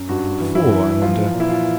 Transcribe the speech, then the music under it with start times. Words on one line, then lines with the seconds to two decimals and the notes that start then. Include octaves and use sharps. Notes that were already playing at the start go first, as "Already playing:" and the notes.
What for, I wonder?
Already playing: F#2
0.09 G2 F#4
0.40 E3
0.55 E4
0.71 E3
1.02 F3 F4
1.33 A#2
1.40 E4
1.49 F4